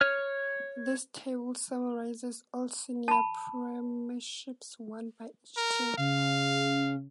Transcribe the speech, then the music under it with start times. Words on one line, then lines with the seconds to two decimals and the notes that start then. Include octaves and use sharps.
This table summarises all senior premierships won by each team.
0.01 C#5 F6
3.08 A5 B5
5.57 A#4
5.98 C#3 F5